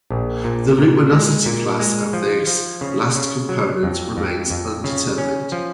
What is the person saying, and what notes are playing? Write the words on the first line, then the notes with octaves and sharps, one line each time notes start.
The luminosity class of this last component remains undetermined.
A#1
A#2
A#2
G#3
A#2
G#3
F3
F3
C#3
C#3
F#3
F2
F2
F2
C#3
C#4
F3